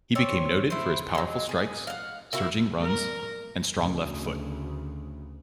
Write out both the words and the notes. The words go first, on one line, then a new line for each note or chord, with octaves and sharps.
He became noted for his powerful strikes, surging runs, and strong left foot.
C4 C#5 D5
E4 C5
F#3 G#3
G#4
F5 F#5
A#3 E4 F#4
A#4
D2 C#3